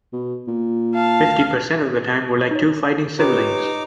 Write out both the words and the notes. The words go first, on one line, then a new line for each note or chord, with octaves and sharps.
Fifty percent of the time we're like two fighting siblings.
B2
A#2
F5 A5
D2
D#4 C#5
D#4 F4 G4 B4 C#5 D6